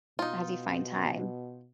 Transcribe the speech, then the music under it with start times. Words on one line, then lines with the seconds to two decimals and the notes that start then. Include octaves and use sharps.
as you find time.
0.19 B2 D#4 F4